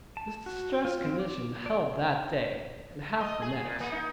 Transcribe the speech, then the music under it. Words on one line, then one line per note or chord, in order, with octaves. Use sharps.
This distressed condition held that day, and half the next.
A5
F#4
F4
C4
D6
D5
D#5
G#4
A#2
A#3
D#4